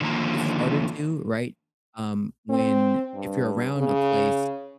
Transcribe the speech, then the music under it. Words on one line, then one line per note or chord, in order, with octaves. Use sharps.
it's harder to, right? Um, when if you're around a place,
D3 D#3 F3 A#3 A#5
C4
G2
C#3